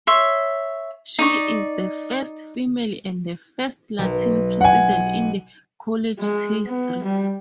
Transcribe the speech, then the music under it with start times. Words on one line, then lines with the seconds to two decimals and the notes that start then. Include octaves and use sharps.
She is the first female and first Latina president in the college’s history.
0.07 C#5 E5 C6
1.19 D#4 D5 C#6
3.99 B1
4.61 F#5 G#5
6.19 G#3
6.67 B3
7.04 G3